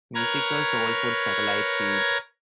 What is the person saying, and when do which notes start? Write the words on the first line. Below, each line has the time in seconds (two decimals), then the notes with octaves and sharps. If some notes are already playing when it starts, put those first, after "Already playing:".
Musical Soul Food satellite feed.
0.15 A#4 B4 C#5 A#5 G#6